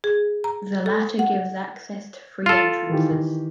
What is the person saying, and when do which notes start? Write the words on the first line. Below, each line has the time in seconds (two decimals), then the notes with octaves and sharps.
The latter gives access to three entrances.
0.04 G#4
0.44 A#5
0.86 A4
1.19 F#5
2.46 F4 A4
2.89 D#3 E3 G4